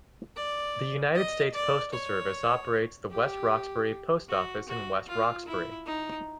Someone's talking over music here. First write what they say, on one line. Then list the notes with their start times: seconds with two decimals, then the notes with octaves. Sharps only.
The United States Postal Service operates the West Roxbury Post Office in West Roxbury.
0.36 D5
1.15 D#5
1.54 D5
1.93 C#5
3.11 G4
4.29 F#4
4.69 F#4
5.08 F4
5.47 E4
5.87 D#4